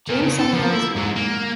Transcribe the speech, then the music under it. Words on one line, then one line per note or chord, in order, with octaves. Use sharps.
James Sunderland is married.
A#2
C#3
A4
F3
E4
G#2
A#3